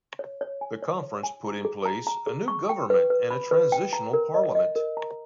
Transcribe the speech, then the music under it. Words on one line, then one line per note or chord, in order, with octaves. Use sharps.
The conference put in place a new government and a transitional parliament.
C#5
C#5
G#5
C#5
C#5
G#5
A#5
G#4
A#5
A#5
G#4
C#6
G5
B4
B4
B5
B4
G5
A#5
A#4
D#5
D#5
A#4
A#5